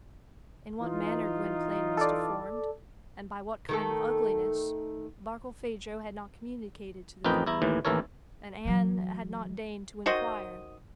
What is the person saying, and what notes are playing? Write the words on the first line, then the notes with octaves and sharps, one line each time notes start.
In what manner Gwynplaine was deformed, and by what kind of ugliness, Barkilphedro had not communicated to the queen, and Anne had not deigned to inquire.
E3 D#4 F4
A4 D5
D#3 A3 A4
A1 F2 D#4 A#4 B4 G5
E2 E4 A#5
D#2 A2 E3
A1 D#2 E3 A4 A#4 C#5
E3 F#3
D#3 F#4 C5 D#5